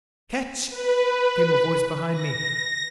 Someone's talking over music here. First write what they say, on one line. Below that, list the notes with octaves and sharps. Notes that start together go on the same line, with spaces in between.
"Catch!" came a voice behind me.
B4
A#6